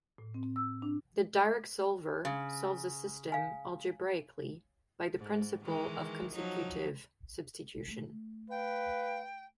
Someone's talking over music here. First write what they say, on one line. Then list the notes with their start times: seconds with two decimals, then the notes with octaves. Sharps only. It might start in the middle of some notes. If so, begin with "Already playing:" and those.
The "direct solver" solves a system algebraically by the principle of consecutive substitution.
0.18 A2
0.34 C4
0.56 E6
0.82 D4
2.25 C#3
3.32 F5 G#5
5.17 G#2
5.64 D#3 E3 G#3
6.33 F3 F#3 D#4
7.88 A3
8.50 B4 F5 G5